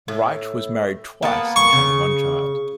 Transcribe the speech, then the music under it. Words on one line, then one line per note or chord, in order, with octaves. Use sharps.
Wright was married twice and had one child.
A2
A#3 B3 A5
C#6
C#3